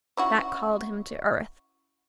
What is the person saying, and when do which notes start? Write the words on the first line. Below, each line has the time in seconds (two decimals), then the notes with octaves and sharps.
That called him to earth.
0.17 C#4 E4 F#4